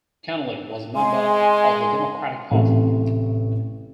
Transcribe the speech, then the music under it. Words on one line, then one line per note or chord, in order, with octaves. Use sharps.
Kennelly was a member of the Democratic Party.
G#3 G#5 C6
A1 A2 C3 A3